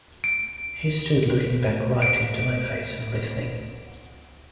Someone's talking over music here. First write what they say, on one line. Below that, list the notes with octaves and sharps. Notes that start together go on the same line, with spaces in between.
He stood looking back right into my face and listening.
D7
D7